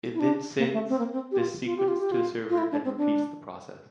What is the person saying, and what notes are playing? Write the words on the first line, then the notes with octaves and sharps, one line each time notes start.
It then sends this sequence to the server, and repeats the process.
E4
D4
A#3
A3
C4
A#3
C4
G4
F4
F4
G4
F4
G4
F4
F4
E4
D4
C4
D4